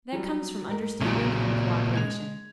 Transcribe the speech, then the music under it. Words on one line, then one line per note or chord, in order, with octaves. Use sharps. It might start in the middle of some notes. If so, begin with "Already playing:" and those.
That comes from understanding and cooperation.
F#3 G3
G#2 A#4
B1 A#2 C#3 F#3
G#3 G#6 F7